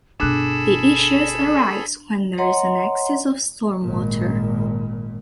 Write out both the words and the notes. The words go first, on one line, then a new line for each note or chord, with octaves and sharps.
The issues arise when there is an excess of stormwater.
G1 B2 D4 G#4 A4 B5 F#6 E7
C#5 D#5 F#5 A#5 C6
G#1 A#2